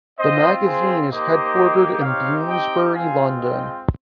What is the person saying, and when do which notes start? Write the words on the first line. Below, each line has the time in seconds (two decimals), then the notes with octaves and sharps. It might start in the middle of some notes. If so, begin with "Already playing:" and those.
The magazine is headquartered in Bloomsbury, London.
0.19 C4 F4 C5 D#5
0.65 G#4 C5
1.11 A#3 D#4 G4 C5 D#5
2.02 C4 D#4 G4 C#5 F5
2.49 D#5 G5
2.94 G#3 C4 F4 F5 G#5
3.40 D#5 G5